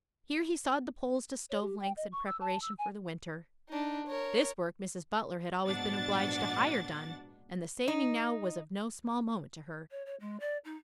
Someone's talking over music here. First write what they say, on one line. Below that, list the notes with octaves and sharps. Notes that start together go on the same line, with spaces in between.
Here he sawed the poles to stove lengths in preparation for the winter. This work Mrs. Butler had always been obliged to hire done, and the saving now was of no small moment to her.
C#5
G4
G5
D#5
C#6
E6
A5
E6
G#5
D4 D#4
A#4 C#5
A#1 G#2 B2 D4 F#5 A6
D#4
C#5
C#5
G#3
D5
D#4